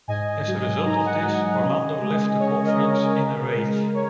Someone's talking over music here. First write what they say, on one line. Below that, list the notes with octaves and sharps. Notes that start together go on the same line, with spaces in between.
As a result of this, Orlando left the conference in a rage.
G#2 D#5 G#5
F#3
D#4 A#5
G#5
F#5
D#5 G#5
G#2
C#3
G#3
C#4 C#5
A#4 D#5
C#3
A#4
C#3
G#3
C#5